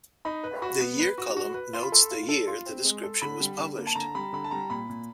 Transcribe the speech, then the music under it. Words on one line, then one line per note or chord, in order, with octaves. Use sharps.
The year column notes the year the description was published.
D#4 B5
B4
F#4 B5
B3
B4
F#4
F#4
B4
F4 C6
B5
A4 C6
F4
A4
F4 C6
C4
G#3
A4
D3 B5
G3
D3
A#3
A5
D3 A#5
G3 B5
D3 B5
A5
G3 A#5
A#2 B5
A#2